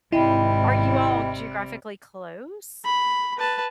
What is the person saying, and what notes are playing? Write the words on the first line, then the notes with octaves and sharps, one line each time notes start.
Are you all geographically close?
G#1 C3 G3 E4 D#5 G5 B5
B5
B4 A5